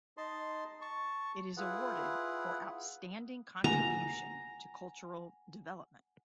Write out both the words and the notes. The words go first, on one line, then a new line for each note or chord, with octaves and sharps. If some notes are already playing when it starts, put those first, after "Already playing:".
It is awarded for "outstanding contribution to cultural development".
D#4 D#5 A5 C6
A5 C#6
E4 F4 G#4 B4 F#5
F#5 G#5 A#5